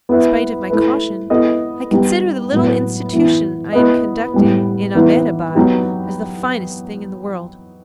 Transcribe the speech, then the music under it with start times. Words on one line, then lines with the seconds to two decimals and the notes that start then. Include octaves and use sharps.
In spite of my caution I consider the little institution I am conducting in Ahmedabad as the finest thing in the world.
0.09 B3 E4 B4 E5
0.70 A3 E4 B4
1.30 B3 E4 A4 D#5
1.91 G3 B3 D#4 G4
2.51 A2 F#3 B3
3.13 E3 B3 E4
3.73 B3 E4 B4 D#5
4.34 A2 G3 B3
4.95 E3 B3 D#4
5.55 F#3 B3 D#4 G4